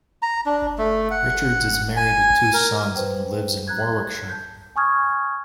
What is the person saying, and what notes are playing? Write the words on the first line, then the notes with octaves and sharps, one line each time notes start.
Richards is married with two sons, and lives in Warwickshire.
A#5
D4
A3
F#5
G#5
A#4
B4 C5 G5
A#5 F#6 G#6
A5 G6
G#5 A5 C#6 D#6 F6 G#6